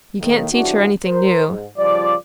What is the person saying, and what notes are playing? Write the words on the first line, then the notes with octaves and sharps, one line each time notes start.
You can't teach her anything new.
A2 D#3 A#3
C#3 E3 G3 D4 E4 F#4
A#4 C5
G#2
C#3 F3 G3 F4 D5